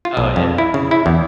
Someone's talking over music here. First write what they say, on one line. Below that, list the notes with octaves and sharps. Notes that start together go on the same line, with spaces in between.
Oh, yeah.
F4
B1
F2
E4
C#3
E4
E2